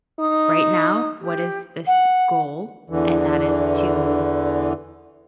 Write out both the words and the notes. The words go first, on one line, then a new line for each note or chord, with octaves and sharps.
right now, "What is this goal?" And that is to,
D#4 D#6
G4
F#5
E2 D3 E3